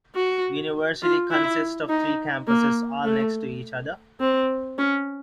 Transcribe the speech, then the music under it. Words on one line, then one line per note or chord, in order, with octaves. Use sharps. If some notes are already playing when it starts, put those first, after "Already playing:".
University consists of three campuses all next to each other.
F#4
F4
E4
D#4
A#3
A3
C4
C#4